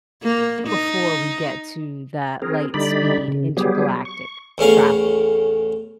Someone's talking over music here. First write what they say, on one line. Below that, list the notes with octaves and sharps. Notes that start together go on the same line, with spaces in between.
before we get to that light speed intergalactic travel.
A#3
D#4
C4 G#4 A#4
D3 G3 D#4 D5 B5
C#3
F#3 G3 B3 G4 G#4
C#6
E2 A2 C#4 F5